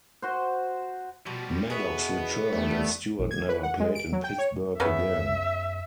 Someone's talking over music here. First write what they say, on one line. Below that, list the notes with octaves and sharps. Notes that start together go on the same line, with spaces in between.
Maddox returned, and Stewart never played in Pittsburgh again.
F#4 C5
B2 F3 G3
B2 B3 E4 F#4 G#4
G3 A3 D4
A#1
G#6
B4
F#5
G#3
D7
F#3
G5
C#5
F#2 C#3 B3 E5